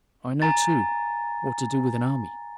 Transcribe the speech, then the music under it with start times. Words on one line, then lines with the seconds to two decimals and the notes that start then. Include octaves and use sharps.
I know, too, what to do with an army.
0.42 G#5 A#5 A6